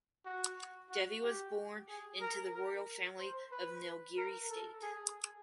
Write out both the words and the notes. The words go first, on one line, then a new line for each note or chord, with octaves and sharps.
Devi was born into the royal family of Nilgiri State.
F#4
F#4
G4
G#4
A#4
A#4
C5
B4
A#4
A4
G#4